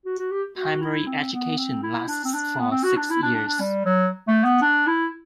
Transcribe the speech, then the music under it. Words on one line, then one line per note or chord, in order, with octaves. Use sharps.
Primary education lasts for six years.
F#4
F#4
G4
F#4
E4
C4
B3
C4
E4
D4
C4
D4
B3
C4
F#4
D4
E4
D4
D4
D4
G3
F#3
A3
B3
D4
E4